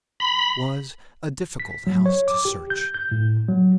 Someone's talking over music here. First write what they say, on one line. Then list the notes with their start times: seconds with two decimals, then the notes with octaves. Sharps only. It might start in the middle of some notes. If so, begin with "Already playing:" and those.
It was a difficult house to search.
0.20 B5
1.60 B6
1.87 F#3
2.06 C#5
2.28 D6
2.45 G4
2.70 G6
2.94 G6
3.11 A2
3.48 F#3